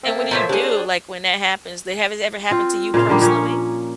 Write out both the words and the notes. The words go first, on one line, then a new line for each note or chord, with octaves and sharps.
And what do you do, like, when that happens they has it ever happened to you personally?
A#3 C4 A4 E5 A6
A#2 F3 C5 C#5 E5
D4 G4 G#4
C4 F4
A#2 C#3 C5 F5
D3 F3 G3 A#3
A#2 C#4 C#5